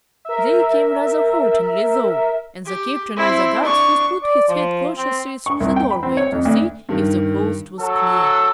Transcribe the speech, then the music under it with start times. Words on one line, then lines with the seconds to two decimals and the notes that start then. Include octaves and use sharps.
They came rather haltingly, though, and the Captain of the Guards first put his head cautiously through the doorway to see if the coast was clear.
0.25 A#4 E5
2.65 G4
3.16 C4 E4
3.62 D4 C#6
4.23 D5
4.49 F3
4.98 C4
5.46 C#6
5.60 C2
5.76 G5
5.91 B5
6.03 C4
6.17 C#5
6.32 F2
6.45 D2
6.89 G2 D#3
7.79 F#3 A4